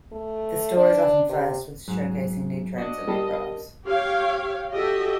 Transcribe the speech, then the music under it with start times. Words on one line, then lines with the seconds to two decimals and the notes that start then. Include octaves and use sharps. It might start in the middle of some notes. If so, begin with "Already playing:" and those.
The store is often first with showcasing new trends and new products.
0.12 A3
0.76 D4
1.29 C3
1.88 G#2 F#3
2.78 D4 F#4 D#5
3.07 G3 A#4 A5
3.86 G4 C#5 F5 G5
4.74 F#4 G4 A4 D#5 E5